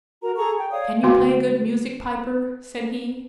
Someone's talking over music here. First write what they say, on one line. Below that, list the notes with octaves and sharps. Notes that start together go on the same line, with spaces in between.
"Can you play good music, piper?" said he.
F#4 A#4 A#5
G#4 A4 A#5 C#6
G5
C#5 D5 F5 D#6
D3 A3 B3 F#4 C6